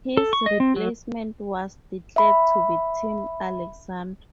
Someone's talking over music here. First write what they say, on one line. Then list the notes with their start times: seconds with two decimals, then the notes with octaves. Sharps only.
His replacement was declared to be Tim Alexander.
0.17 A4
0.33 C#6
0.46 D#5
0.60 C4
0.76 F#3
2.16 E5 B5